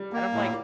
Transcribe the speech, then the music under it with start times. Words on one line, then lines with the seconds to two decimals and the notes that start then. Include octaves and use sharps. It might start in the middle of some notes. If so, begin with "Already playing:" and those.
and I'm like,
Already playing: G3
0.13 A#3
0.33 A2